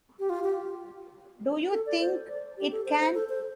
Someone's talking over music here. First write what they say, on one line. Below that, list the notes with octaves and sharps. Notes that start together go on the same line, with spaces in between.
Do you think it can?
G4
F4
G4
A4
D5
C5
D5
G4
A4
C5
C5
A4
C5